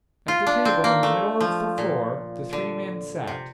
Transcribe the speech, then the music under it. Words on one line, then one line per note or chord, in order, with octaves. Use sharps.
At the table in the middle of the floor the three men sat.
F4
D4
C4
A#3
A3
F3
A#2
D3
C3